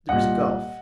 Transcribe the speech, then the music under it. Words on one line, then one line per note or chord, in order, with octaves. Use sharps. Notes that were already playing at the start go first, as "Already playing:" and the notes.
There is a gulf.
C2 A#2 D#5 F#5